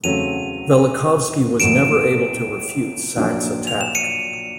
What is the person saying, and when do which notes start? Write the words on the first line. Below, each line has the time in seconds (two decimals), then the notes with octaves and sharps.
Velikovsky was never able to refute Sachs' attack.
0.03 E2 C#3 F#3 A3 C4 D#7 F7
1.60 A1 A2 F#3 A#3 D7 E7
3.16 A#1 A#2 F#3 A#3 D4
3.67 F7
3.81 E7
3.95 C#7 D#7